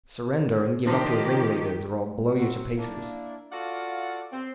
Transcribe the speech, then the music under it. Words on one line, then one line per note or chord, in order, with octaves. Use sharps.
"Surrender, and give up your ringleaders, or I'll blow you to pieces!"
D#3 F3 D4 G4 C5
C3 A#3 C4 F#4
A#3 D4 E4
F4 F#4 A4 D5 F5 F#5
C4